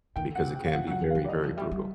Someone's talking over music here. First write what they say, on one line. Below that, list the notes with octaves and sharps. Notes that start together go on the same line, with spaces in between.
because it can be very, very brutal.
D#3 G5
D3 F#5
C3
G5
C#3
F5
F3 F#5
F#3 F#5
F3
F5
F3
D5
E3 D#5
F3
G3 E5
G3